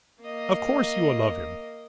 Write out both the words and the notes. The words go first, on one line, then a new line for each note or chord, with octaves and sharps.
Of course, you will love him.
A#3 D#5